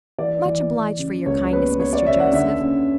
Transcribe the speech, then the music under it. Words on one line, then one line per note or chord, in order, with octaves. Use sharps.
Much obliged for your kindness, Mr. Joseph.
E3 D5
E3
E3
C#3
C#2 C#5
C#5
B3 B4
B3 C#5
D5
C#3 E5
F#5
D3 E5
C#4